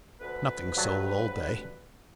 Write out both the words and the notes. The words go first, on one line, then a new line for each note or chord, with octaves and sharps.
Nothing sold all day.
D2 D3 B4
G2 F#3 A5